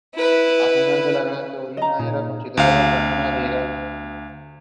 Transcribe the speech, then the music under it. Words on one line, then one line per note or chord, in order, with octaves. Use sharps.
Kimball was placed with Jennie Kimball.
E4 B4
D#5 A#5
A#2 D#4
D2 F5